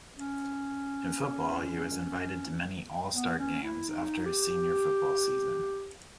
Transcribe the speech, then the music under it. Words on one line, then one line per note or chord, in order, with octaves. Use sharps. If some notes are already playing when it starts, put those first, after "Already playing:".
In football, he was invited to many all-star games after his senior football season.
C#4
B3
C#4
E4
D#4
G4